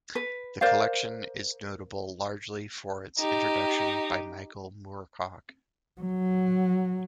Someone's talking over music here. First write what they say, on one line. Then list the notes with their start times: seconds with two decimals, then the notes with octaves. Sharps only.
The collection is notable largely for its introduction by Michael Moorcock.
0.15 B4
0.61 A#4 C5 D5 F5
3.19 D#4 G4
6.01 F#3